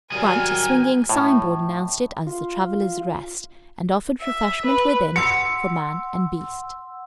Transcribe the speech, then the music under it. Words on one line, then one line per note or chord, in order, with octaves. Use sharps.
In front, a swinging sign-board announced it as the "Traveller's Rest" and offered refreshment within for man and beast.
D#3 F#3 G3 G#4 A#4 G#5
A2
F4
E5
B4
F#5 C6 E6 C#7